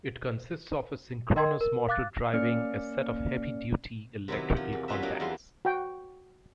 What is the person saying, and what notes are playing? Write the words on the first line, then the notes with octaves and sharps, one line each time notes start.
It consists of a synchronous motor driving a set of heavy-duty electrical contacts.
A#4 D#5 G5 C6 G#6
A#4
F5 D6 F#6 A6
A#3 C#4 D5 F6 C#7
C3 D#3 F#3 B3 E4
F3
E2
F#3 G3 C#4 F4 B4 E5
F#3 A#3 D4 D#4
E2 G3 E4 F4 C6
F#4 G5